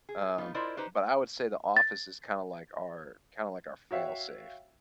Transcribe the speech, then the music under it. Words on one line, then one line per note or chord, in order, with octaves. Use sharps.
um, but I would say The Office is kinda like our kinda like our fail safe,
G#4
B3 D#4 F4
E4 F4 A#4 C5 D5 D#5
D#4 G4 B4 C5
A6
F#4 C#5 E5 F5 G5